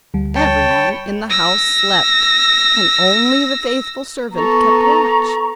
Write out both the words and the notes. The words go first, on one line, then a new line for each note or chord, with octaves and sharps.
Everyone in the house slept, and only the faithful servant kept watch.
D2 G3
C#5 G5 A5
B5
E6 A#6
B3 A4 A#5 C#6